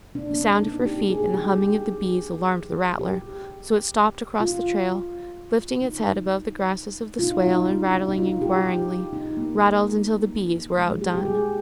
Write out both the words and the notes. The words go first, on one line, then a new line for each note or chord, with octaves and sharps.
The sound of her feet and the humming of the bees alarmed the rattler, so it stopped across the trail, lifting its head above the grasses of the swale and rattling inquiringly--rattled until the bees were outdone.
D4
A#3
C4
D#4
G4
G#4
G4
G#4
G4
F4
D#4
F4
D#4
D#4
D4
D#4
D#4
F4
G4
G4
D#4
A#3
G#3
G4
G4
G#4